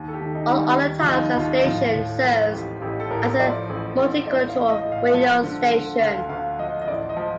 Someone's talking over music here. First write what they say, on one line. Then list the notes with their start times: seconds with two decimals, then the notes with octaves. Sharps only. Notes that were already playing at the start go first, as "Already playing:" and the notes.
All other times the station serves as a multicultural radio station.
Already playing: D#2
0.08 A4
0.13 G4
0.21 D#3
0.35 D#4
0.49 D#3
0.57 G3
0.78 D#3
1.00 F4
1.07 D#2 D#4
1.37 D#2 F4
1.59 D#4
1.66 A2 F4
1.94 A2
2.24 F3
2.52 A1 G4
2.82 A1 G4
3.00 A4
3.10 A2 A#4
3.39 F3 D5
3.69 A1
3.98 A1
4.26 A1 D5
4.49 F5
4.55 A1
4.70 D#5
4.85 A2
4.92 F5
5.14 F3
5.43 D3
5.72 D3
6.01 D2 F5
6.29 D2 F5
6.59 F3 D#5
6.81 D#5
6.88 A1 D5
7.09 D#5
7.16 F3